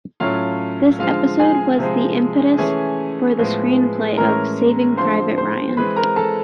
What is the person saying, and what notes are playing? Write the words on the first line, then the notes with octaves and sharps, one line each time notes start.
This episode was the impetus for the screenplay of "Saving Private Ryan".
A2 F#3 A3 C#4 F4 F5
D3 F3 G#3 F4 F5
G#4 G#5
C3 F3 G#3
E3 A3 C#4 G#4 G#5
A2 F3 G#3 B3
A2 E3 G#3 C#4 A#4 A#5
D3 F3 G#3 C4 C5 C6
C5 C6
E3 G#3 C4 B4 B5
A#4 A#5
A4 A5